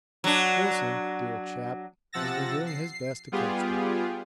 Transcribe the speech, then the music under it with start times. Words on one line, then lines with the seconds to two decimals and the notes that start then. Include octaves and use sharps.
Wilson, dear chap, has been doing his best to coach them.
0.24 F#3 D4
2.13 C3 F3 F#5 E6 A6 A#6
2.67 C7
3.32 G3 B3 F4 G4 G#4